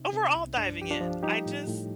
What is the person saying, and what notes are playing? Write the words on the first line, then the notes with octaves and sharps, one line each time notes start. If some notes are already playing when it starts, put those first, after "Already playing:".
overall diving in, I just
Already playing: C3 D#4
C3
C2
G2 D4
F3 G4
D4 F4
F3
G3 D#4 G4
A2
A2